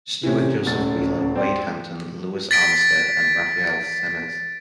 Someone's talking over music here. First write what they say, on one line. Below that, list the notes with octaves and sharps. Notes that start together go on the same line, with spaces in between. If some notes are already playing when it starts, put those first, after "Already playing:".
Stuart, Joseph Wheeler, Wade Hampton, Lewis Armistead, and Raphael Semmes.
C3 E3 C#4
D#1 D2 C#4 A6
C4 D5 C6
A6 B6 D7